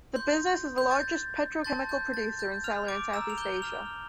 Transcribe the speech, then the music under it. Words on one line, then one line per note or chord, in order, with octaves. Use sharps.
The business is the largest petrochemical producer and seller in South East Asia.
C6 G6
G6
A6
A5 C6 G6 A6
G6
A6
G6
F6 F7
D6 D7
A#5 E6 F6 E7
F7
G6 G7
F6 F7